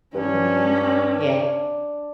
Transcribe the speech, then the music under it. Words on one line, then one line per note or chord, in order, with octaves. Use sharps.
Mhm, yeah.
G2 C#4 D4